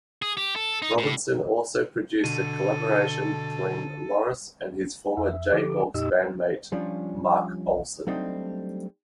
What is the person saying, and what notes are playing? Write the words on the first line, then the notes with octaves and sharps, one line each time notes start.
Robinson also produced a collaboration between Louris and his former Jayhawks bandmate Mark Olson.
G#4
G4
A4
D#4
A2
B2 D3 A4 D#7
F2 E5
D3 F3 G4 A4 D6
F2 A#2 D#4 G4 D#5 E6
F3 G3 C#4 D4 F4
F#3 G3 A3 C4 D4 D#4